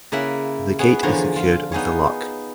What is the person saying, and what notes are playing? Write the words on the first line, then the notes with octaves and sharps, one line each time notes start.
The gate is secured with a lock.
C#3 A#3 E4 E5 F#5
B3 G#4 C#5
E2 D3 F3 C#5 A#5 C6
F4
B3 D#4 G#4 C#5